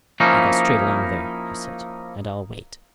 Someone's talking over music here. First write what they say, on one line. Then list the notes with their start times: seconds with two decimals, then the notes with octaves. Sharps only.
"You go straight along there," he said, "and I'll wait."
0.20 F3 A#3 C#4 D#4 E4